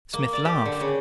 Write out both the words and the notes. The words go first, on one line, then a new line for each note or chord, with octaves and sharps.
Smith laughed.
A#3
D5
G4
D3
C#3